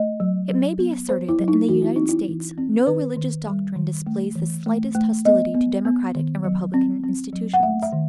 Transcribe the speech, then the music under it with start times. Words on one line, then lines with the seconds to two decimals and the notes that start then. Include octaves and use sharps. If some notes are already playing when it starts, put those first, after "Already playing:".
It may be asserted that in the United States no religious doctrine displays the slightest hostility to democratic and republican institutions.
Already playing: A3 D#5
0.20 F#3
0.49 F#3
0.79 B3
1.09 B3 C5
1.29 E4
1.39 F#3
1.48 D#4
1.69 E3 F#4
1.82 E4
1.96 C4 D#4
2.09 E4
2.28 E3
2.58 C4
2.87 D#3 B4
3.17 D#3
3.47 G3
3.76 D#3
4.07 A3
4.35 E3
4.66 A3
4.95 A3
5.25 B3 D#5
5.55 B3
5.85 B3
6.15 D#3
6.44 F#3
6.74 C4
7.03 C4
7.33 F#3
7.54 F#5
7.63 A3 E5
7.83 E5
7.93 D#3